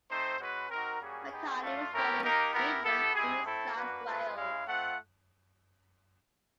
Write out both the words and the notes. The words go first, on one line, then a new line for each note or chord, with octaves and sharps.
Macartney was born in Maitland, New South Wales.
A3 C4 D#4 C5
G#3 C#4 F#4 B4
C4 D#4 F#4 A#4
G3 A#3 C#4 F#4 G#4
B3 D#4 G4
A3 D4 F4
A3 C#4 E4 G4 A#4
A#3 D#4 G4 A#4
B3 E4 G4 A#4
B3 E4 G4 A4
G#3 C4 E4 G4 G#4
A3 C4 E4 A4
A#3 D4 F#4 B4
G#3 C4 F4
G#3 C#4 E4 F5
A3 C4 F4 F#5